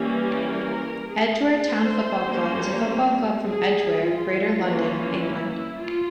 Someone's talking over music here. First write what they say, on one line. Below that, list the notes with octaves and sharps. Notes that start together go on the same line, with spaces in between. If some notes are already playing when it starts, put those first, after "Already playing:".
Edgware Town Football Club is a football club from Edgware, Greater London, England.
Already playing: E3 G3 A#3 C#4
G4
A#4
G#4
C5
G3 A#3 C#4
G#4
F4
E3 A#3 C#4
E4
F4